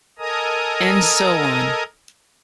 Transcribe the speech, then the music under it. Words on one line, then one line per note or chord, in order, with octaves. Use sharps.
And so on.
A4 A#4 D#5 G#5 A#5 D#6